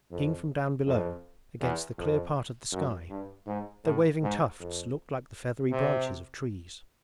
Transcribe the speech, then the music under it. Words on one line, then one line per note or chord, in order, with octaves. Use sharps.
Seen from down below, against the clear part of the sky, their waving tufts looked like the feathery branches of trees.
F2
F2
E2
F2
F#2
G2
G#2
A2
G#2
F2
C3